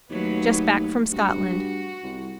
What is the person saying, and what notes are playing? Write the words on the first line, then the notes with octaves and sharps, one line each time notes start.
Just back from Scotland.
D#2 F#3 A3 B4
G2 F#4
C2